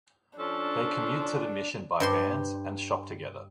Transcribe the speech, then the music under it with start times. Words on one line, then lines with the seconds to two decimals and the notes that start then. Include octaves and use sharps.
They commute to the mission by vans and shop together.
0.38 F3 C#4 D4 A4
2.00 G2 C5 C6